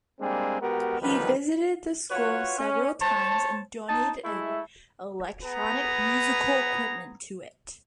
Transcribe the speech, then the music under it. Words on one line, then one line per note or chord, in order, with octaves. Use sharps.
He visited the school several times and donated electronic musical equipment to it.
G3 G#3 A#3 C4 D4 G#4
G#3 B3 F#4 G4 A#4
B1 D3 D#3 F3 G3 B4
F4 F#4 B4 C#5
C#4
C5 C#5 A5
D#4 A5
G#3 A3 E4
B3 G#4 B4 A#5